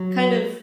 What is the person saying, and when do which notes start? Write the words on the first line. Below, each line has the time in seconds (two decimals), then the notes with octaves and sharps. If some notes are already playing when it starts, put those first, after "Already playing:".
kind of
Already playing: F#3